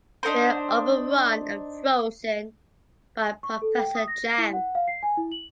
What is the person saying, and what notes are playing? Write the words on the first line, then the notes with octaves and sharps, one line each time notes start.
They’re overrun and frozen by Professor Chang.
D4 D#4 A#4 C5
C#6
A4
G5
D#6
A#6
E4
F#5
F5
C7
G#5
E4
F#7